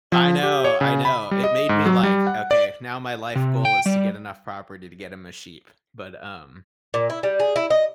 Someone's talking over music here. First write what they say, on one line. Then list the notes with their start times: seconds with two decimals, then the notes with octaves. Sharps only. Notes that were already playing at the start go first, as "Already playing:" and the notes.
I know, I know. It made me, like, "Okay. Now my life goal is to get enough property to get him a sheep." But, um
0.12 F3
0.43 G4
0.65 C#5
0.81 C#3
1.05 B5
1.31 G3
1.44 D#5
1.69 G#2
1.86 F#3
2.03 G3
2.27 F#5
2.51 D5
3.36 C3
3.65 G5
3.86 G3
6.94 A#2
7.10 E4
7.23 G3
7.40 G#4
7.56 E4
7.70 D#5